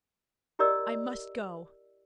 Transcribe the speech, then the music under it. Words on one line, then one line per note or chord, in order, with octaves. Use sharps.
I must go ...
E4 G4 A#4 D5 D#5 E6